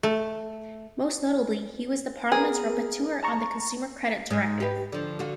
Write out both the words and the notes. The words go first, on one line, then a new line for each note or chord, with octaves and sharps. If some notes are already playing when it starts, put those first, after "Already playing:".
Most notably, he was the Parliament's rapporteur on the Consumer Credit Directive.
A3
B3 G#4 A#4
A5 A#5 C#6
G#2
G4 B4
D3 F3
D3 F4 F#4